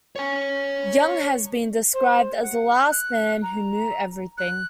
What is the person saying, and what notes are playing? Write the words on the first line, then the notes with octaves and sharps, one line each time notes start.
Young has been described as "The Last Man Who Knew Everything".
C#5 G#5
C5
F#5
F#6
A#5
F#6